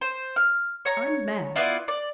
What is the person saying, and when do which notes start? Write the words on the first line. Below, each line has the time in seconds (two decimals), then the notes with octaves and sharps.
I'm mad!
0.01 C5
0.36 F6
0.85 C#5 A#5 C#6
1.56 B3 E4 F4 D5
1.88 D5